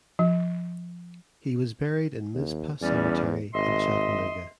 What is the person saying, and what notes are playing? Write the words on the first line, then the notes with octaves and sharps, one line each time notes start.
He was buried in Mizpah Cemetery in Chattanooga.
F3
D#2
E2 G3 C#4 D5
G#1 D#5 E5 C6